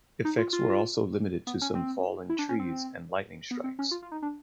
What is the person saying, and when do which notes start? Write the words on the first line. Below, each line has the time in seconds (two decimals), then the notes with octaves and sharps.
Effects were also limited to some fallen trees and lightning strikes.
0.25 D#4
0.38 F4
0.53 F4
1.47 B3
1.62 C#4
1.75 C4
2.29 E4
2.39 D4
2.49 C#4
2.59 C4
3.51 B3
3.64 C4
3.79 C#4
3.91 F4
4.02 F4
4.12 D#4
4.22 D4